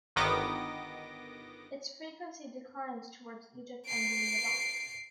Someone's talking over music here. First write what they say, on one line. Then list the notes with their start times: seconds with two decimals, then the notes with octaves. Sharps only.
Its frequency declines towards Egypt and the Levant.
0.16 G1 D#3 B3 D#5 D6 A#6
3.87 C7 D7